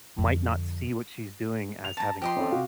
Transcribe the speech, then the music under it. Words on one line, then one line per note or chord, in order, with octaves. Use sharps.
might not see what she's doing as having fun.
F2 D3
F7
A5 A#5
F3 G4 D#5 C6
C4 C#4 A4
C3 F#4 F5